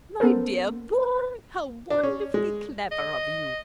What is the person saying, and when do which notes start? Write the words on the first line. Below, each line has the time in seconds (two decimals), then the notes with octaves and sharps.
"My dear boy, how wonderfully clever of you!"
0.20 B3 C#4 A4 A#4 C5
1.90 D4
2.03 C#4
2.34 G#3
2.91 D#5